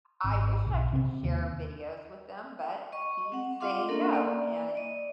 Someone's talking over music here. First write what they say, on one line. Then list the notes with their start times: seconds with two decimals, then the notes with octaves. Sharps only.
I wish I could share videos with him but he's saying no, and
0.24 G#1
0.67 B1
0.93 C3
1.24 D#2
2.92 D#5 C#6
3.32 C4 F#5
3.60 F4 D#5 F5 F#5 C6 D6
3.89 A#3 C#4 D4 A4 A#4
4.13 A#3 D5
4.75 D5 D#5